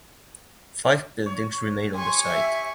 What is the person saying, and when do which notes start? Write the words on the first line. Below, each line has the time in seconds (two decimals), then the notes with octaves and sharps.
Five buildings remain on the site.
1.26 C#5
1.94 G4 G#5 C6 C#6
2.28 E5